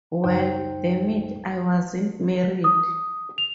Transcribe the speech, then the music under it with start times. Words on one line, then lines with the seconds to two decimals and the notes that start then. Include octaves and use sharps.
Well, damn it, I wasn't married.
0.24 C#2 F#2 D#4 C5 G5
2.64 D#6
3.38 F7